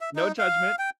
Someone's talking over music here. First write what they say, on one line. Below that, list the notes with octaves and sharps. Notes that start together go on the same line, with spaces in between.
No judgment.
E5
D#4
F5
G5